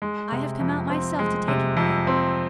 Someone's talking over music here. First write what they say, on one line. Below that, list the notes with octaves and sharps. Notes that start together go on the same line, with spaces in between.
I have come out myself to take him there.
G#3
C3
F2
C4
G#3
C3
F2
C4